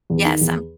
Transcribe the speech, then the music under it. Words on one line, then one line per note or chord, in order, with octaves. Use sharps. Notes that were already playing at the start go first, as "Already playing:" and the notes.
Yes, I'm
E2
D#3
E2